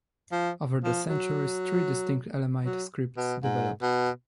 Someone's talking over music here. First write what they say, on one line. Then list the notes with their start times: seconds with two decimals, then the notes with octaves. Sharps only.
Over the centuries, three distinct Elamite scripts developed.
0.32 F3
0.84 F3
1.09 F#3
2.65 F#3
3.17 B2
3.43 G#2
3.82 B2